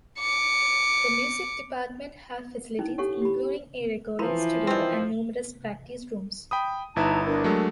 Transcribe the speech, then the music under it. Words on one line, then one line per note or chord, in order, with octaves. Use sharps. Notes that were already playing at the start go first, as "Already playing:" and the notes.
The music department have facilities including a recording studio and numerous practice rooms.
D6 C#7
C#4 D#4 E4
D4 G4 A4 C#5 F#5 C#6
G4 B5
E3 F3 E4 A#4 B5
D#3 C4
G5 B5 D#6
G1 D#4 E4 B4 A5 A#5
D4 A#4
F#3 G#3 A3